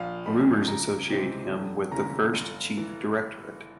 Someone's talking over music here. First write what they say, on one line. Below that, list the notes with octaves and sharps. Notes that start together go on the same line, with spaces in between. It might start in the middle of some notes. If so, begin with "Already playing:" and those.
Rumors associate him with the First Chief Directorate.
Already playing: A#1 F5
A2 F3 G#3 B5
C#2 A#5
C3 E3 G#3 C4
F1
D#2 C#3 E3 A#5
G1
E3